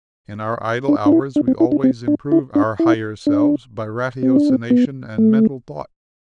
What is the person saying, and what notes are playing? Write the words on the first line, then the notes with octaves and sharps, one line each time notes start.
In our idle hours we always improved our higher selves by ratiocination and mental thought.
D4
D4
E4
D4
C4
E4
D4
C4
D4
E4
D4
E4
D4
C4
D4
C4
B3
A3